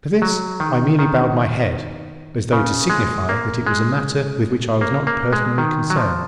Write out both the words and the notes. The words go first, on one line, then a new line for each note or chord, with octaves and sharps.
To this I merely bowed my head, as though to signify that it was a matter with which I was not personally concerned.
F#3
D#3
D#3
C#3
G#3
A#3
G#3
A#3
A#3
G#3
D#3
F#3
F3